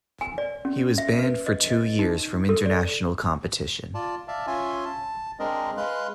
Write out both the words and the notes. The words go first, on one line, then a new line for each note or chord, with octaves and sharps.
He was banned for two years from international competition.
G#5
D5
C#4
E5
B4
D#5
D#5
D#4
A4
D5
F4 D5 A5
D5 E5 F5 A5
C#4 F4 E5 G#5 C6
A5
G#3 C4 D4 A#4 D#5
G#3 B4 F5 C6 F#6